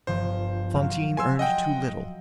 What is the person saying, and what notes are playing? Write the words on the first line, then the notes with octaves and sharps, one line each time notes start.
Fantine earned too little.
G1 F3 C5
F#3 F5
G#5 C6 E6
D#5 F#5 G5